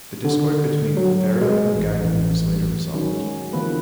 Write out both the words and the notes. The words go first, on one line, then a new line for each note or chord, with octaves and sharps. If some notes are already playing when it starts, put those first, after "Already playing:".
The discord between Favero and Gagnon was later resolved.
D3
F#3
G#3
A1
A1
D#3 F#3 C#4
G#3
D3 E3 F3 A#3 B3 B4